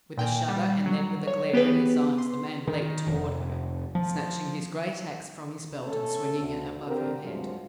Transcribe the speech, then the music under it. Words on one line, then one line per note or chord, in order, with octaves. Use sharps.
With a shudder and then with a glare in his eyes the man leaped toward her, snatching his great ax from his belt and swinging it above her head.
A#2 G5 G#5
G3
F#3
C#5
B3 G4 G#4 B4
C6
D#3
F1
F3
A3 C#4 A4
D2
D3 C4 G4 A#4
D2 G2 F3 F#3 G#3